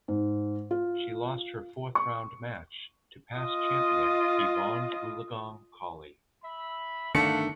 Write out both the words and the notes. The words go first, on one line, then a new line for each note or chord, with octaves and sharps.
She lost her fourth round match to past champion Evonne Goolagong Cawley.
G#2
F4
C#6
F4 D#5
E5 B5
G1 D3 D#3 A3 D4 F5 F#5 C#7